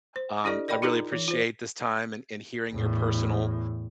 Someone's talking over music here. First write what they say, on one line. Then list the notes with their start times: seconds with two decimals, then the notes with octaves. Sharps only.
um, I really appreciate this time and and hearing your personal
0.16 C5
0.44 D4 E4 G4 A4 D5 D#5
0.68 A#4 D5 D#5 G5 B5
0.82 D#4 F4 G#4 A#4 A#5
1.12 E3
1.28 F4 C5
2.71 E2 A2